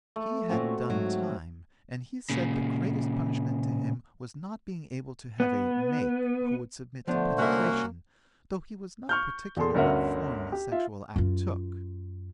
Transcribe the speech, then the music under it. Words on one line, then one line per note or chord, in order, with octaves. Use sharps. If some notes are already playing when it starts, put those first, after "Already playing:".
He had 'done time' and he said the greatest punishment to him was not being able to have a 'make' who would submit to penetration, though he was not particular what form the sexual act took.
A3
A#2 A#3 C4 C#4 F#4
G#2 F#3
A#2 C#3
B3
D3 F3 A3 B3 D4 C5
C2 A#3 C#4 F#4 E5 F#5
C#6 F6 G6
E2 G#4 A4 C6
G1 D2 C#4 A#4 E5 F#5
G4
F4 E5
F#2 F4